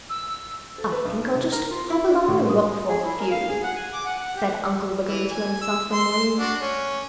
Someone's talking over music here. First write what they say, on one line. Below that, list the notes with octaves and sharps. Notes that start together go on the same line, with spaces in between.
"I think I'll just hop along and look for a few," said Uncle Wiggily to himself one morning.
E6
A4
B4
B1
C3
A#4
F4
E4
D4
A2
D#6
G#3
G#4
E4
A#4
F5
G#4
F#5
G#5
D6
F#5
F#5
G4
E3
G#5
E6
C6
D4 F#4
C#4